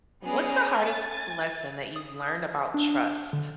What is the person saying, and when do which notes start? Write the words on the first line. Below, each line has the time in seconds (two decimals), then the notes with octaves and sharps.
What's the hardest lesson that you've learned about trust?
0.24 B3 C#4 G#4 D5 A#5
0.81 G#5 A6
1.96 D#6
2.74 D4
3.33 D3